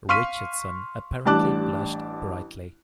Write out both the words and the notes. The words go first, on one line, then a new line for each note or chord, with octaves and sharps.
Richardson apparently blushed brightly.
F5 C6 C#6 F6 B6 D#7
A1 G3 D4 A5 D6 F#6